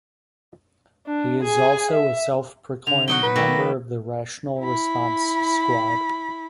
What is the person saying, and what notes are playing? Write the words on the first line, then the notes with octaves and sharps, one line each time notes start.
He is also a self-proclaimed member of the Rational Response Squad.
D4
G#4 G#5
E5
D3 F7
F#3 D#4 F#4 G7
B4
D#3 A3 A#3 A#6
E4 B5